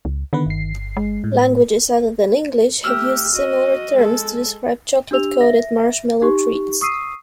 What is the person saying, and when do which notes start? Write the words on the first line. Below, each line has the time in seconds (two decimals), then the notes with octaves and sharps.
Languages other than English have used similar terms to describe chocolate-coated marshmallow treats.
0.05 C#2
0.33 D3 D#3 B3 B4
0.46 G1 C7
0.97 G#3
1.24 A2
2.84 A3 G4 E6 F6
3.33 F#4 D#5
3.96 G#3 A4
5.11 D4 G4 E6 F7
5.41 E5 A#6
6.22 D#4 G4 C#6
6.81 C#6 D#6 E6 C7 D#7